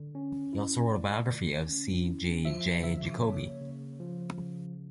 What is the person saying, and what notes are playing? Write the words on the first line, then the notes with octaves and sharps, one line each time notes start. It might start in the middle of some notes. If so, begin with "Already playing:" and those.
He also wrote a biography of C. G. J. Jacobi.
Already playing: D3
C#4
E4
A3 D5
D3
C#4
E4
F3 E5
C#3 E5
A#3 C#5
C#3
F3
C#3